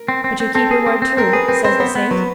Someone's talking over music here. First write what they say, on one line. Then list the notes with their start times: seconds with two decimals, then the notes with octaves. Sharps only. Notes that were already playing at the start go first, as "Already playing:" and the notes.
"But you'll keep your word true," says the saint.
Already playing: A#4
0.08 C4
0.24 C4
0.40 C4
0.55 C4 A4
0.71 G#4
0.86 C4
1.02 C4
1.17 C4 A#4
1.33 G#4 B4
1.48 C4 B4
1.64 C4 C5
1.80 B3 C5
1.95 B3
2.11 F#3 B4